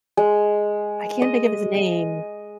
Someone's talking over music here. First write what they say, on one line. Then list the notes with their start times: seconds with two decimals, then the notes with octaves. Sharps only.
I can't think of his name.
0.17 G#3
1.22 D#5